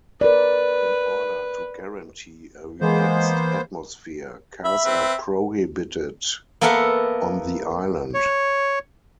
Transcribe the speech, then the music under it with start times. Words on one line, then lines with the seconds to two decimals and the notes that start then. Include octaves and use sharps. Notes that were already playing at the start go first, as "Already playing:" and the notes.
In order to guarantee a relaxed atmosphere, cars are prohibited on the island.
0.21 A#4 B4 D5
2.81 E3 G#3 A#3 B3 C5
4.65 E5 B5
4.85 C4 B4
6.61 A#3 B3 A4 A#4 E5 F#5
8.14 C#5